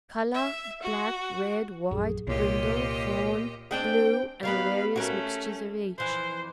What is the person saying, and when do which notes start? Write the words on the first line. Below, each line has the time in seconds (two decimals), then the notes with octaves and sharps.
COLOUR--Black, red, white, brindle, fawn, blue, and the various mixtures of each.
0.34 E5
0.83 F#4
1.91 A#1 F#2 G#4
2.27 C2 A#2 G4 C#5 D#5
3.71 C4 D4 G#4 G5
4.43 D#3 G3 B3 F5 B5
4.96 A3 C#4 F#4 A#4
5.98 F2 E3 C5